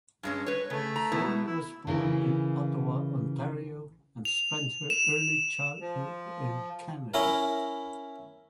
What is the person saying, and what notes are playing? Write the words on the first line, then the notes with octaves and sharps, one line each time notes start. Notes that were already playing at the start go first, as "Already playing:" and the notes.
Foley was born in Ottawa, Ontario, and spent her early childhood in Canada.
G2 G#3 C#4
B4 C#5
C#3 A3
A#5
B2 B3 E4
E4
C#3 E3 E4 A#4
F7
E7
F3
C#4 E4 A#4